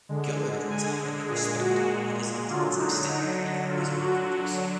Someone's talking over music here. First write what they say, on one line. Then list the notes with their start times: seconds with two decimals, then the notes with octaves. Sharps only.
Gillard was highly respected and his influence extended beyond his own pupils.
0.09 D3 G#3
0.69 G#5
1.29 A#2 G#3 G#4
1.60 F#4
2.49 D3 F#3 F4
2.78 D#4
3.08 D#4
3.68 D3 F#3 F4
3.99 F#4